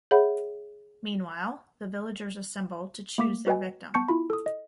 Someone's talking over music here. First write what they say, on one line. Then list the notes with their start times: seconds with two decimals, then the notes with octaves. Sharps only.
Meanwhile the villagers assemble to choose their victim.
0.11 G#4 C#5 E5 F#5 B5
3.18 A3 A#3 D6 B6
3.47 F#4 B4 D#5 G5 G#5
3.94 B3 A5 C#6 G6 C#7
4.08 E4 F4 B5
4.30 A4 D#6
4.46 D#5